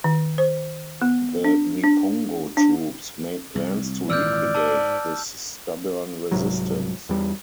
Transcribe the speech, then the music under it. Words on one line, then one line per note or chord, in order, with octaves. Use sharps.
The Niponggo troops made plans to liquidate this stubborn resistance.
D#3
C5
B3
D4
D4
D4
C2
G#1 A#2 E3 D5 E6 F6 G6
G#2 A5 E6
C2 G#2 F#3
E2 G3